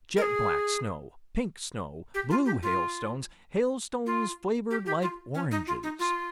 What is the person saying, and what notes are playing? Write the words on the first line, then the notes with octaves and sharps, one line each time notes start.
Jet-black snow--pink snow--blue hailstones--hailstones flavored like oranges.
A#4
G#4
G4
F4
G4
F4
F4
G4
G4
F4
C#4
D#4
F4
D#4
F4